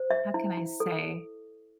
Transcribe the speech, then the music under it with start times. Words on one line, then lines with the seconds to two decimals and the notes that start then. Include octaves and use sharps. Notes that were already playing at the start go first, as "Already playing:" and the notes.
how can I say?-
Already playing: C5
0.11 E5
0.34 E4
0.57 E4
0.80 A4